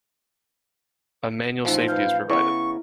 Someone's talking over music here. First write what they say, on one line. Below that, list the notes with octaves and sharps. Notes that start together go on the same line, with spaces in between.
A manual safety is provided.
A1 F3 D#4 F4 C5
B4 F5 G6
C#3 B3 E4 C#6